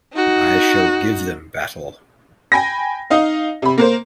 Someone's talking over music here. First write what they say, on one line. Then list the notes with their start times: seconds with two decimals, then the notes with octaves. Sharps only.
I shall give them battle.
0.13 D#4 F#4
2.52 G5 G#5 B5 A#6
3.10 D#4 D#5 F5
3.62 C3 B5
3.78 A#3 A#4 C5